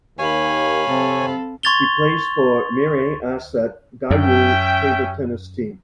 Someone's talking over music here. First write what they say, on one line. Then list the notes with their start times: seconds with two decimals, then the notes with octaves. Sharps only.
He plays for Mirae Asset Daewoo table tennis team.
0.18 D#2 C#5 F5 G#5 B5
0.88 C3 C4 A4
1.63 C6 C#6 G#6 A6 F7 G7
4.11 F#2 C#4 E5 G5